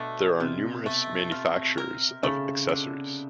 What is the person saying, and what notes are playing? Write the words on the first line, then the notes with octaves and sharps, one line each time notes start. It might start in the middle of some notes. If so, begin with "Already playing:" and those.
There are numerous manufactures of accessories.
Already playing: B2 D3 A3
C3 F4
A3
F4
A#4
C#3 A3
D3